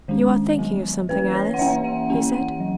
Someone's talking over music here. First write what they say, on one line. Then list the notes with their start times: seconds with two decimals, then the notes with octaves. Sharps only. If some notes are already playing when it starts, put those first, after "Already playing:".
"You are thinking of something, Alice," he said.
0.08 D#3 G#3 C#4
0.58 F#3 B3
1.09 E3 A#3 C#4 B4
1.34 C#5
1.54 F#5
1.59 E3 A#3 C#4 E5
1.84 F#5
2.10 E3 A#3 C#4
2.34 F#5
2.60 F#3